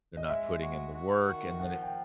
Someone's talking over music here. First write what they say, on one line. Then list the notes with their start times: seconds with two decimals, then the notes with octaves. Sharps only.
They're not putting in the work, and then it
0.17 D#5
0.29 G#3 E5
0.62 F#4
0.94 F#4
1.26 D#3
1.59 F3 F#5
1.82 G5